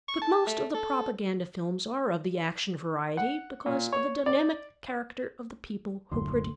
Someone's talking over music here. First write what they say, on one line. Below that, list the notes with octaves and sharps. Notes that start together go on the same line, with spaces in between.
But most of the propaganda films are of the action variety, because of the dynamic character of the people who produce them.
C#6
A5
A3
A4
F#5
A#2
C#5
D5
D#1 C#2 F#2 A2 D3 C6